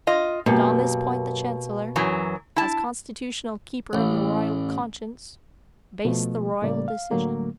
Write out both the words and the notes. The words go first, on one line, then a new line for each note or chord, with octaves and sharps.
And on this point the chancellor, as constitutional keeper of the royal conscience, based the royal decision.
F4 D#5
F#2 B2 A#3 G4
F#2 E3 F#3
E4 A5
A1
B2 F3 A3
A2 C#3 G3 A#3 D5
F5
A2 D3 F#3 A3 A#3